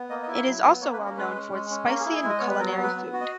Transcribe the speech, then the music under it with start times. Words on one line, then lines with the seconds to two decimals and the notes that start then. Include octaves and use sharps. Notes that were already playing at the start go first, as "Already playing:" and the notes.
It is also well known for its spicy and culinary food.
Already playing: B3
0.10 A#3 D#5
0.23 D#5
0.28 E4
0.34 E5
0.46 F#3
0.63 B3
0.81 A#3 C#5
0.93 B4
0.99 C#4
1.05 A#4
1.17 G#3 B4
1.35 C#4
1.53 G#3
1.70 C#4
1.88 A#3 A#4
2.00 G#4
2.06 E4
2.12 G#4
2.24 G#3
2.29 D#5
2.39 B3 C#5
2.50 B4
2.59 F#3 A#4
2.72 C#5
2.77 B3
2.83 B4
2.95 B3
3.13 F#4
3.21 D#5